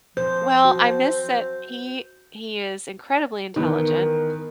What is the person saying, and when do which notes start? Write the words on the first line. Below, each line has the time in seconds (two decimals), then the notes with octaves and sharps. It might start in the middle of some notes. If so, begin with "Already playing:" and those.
Well, I miss that he he is incredibly intelligent
0.17 F3 C4 C5 G6
0.65 F#4
3.56 D#3 E3 B3 A#4